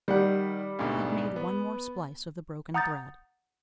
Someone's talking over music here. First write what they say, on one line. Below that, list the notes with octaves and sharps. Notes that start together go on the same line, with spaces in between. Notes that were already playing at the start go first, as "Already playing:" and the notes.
He had made one more splice of the broken thread.
D#3 G3 F#5
D2 G#2 B2
B3
F#5 A#5 D#6 G6 A6